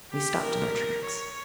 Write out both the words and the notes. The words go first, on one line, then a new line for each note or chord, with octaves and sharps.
We stopped in our tracks.
G4
A#4
C#5